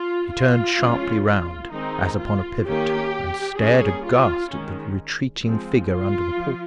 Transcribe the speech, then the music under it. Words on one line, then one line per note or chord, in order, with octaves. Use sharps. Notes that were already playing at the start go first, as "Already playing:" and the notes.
He turned sharply round, as upon a pivot, and stared aghast at the retreating figure under the porch.
Already playing: F4
F4
F3 G#3 C#4
F4
D#3 G#3 C4 D#4
F4
D#3 A#3 C#4 G4
G3 A#3 C#4 G#4
F4
D#3 G#3 C#4
F3 G#3 C4
F4
F3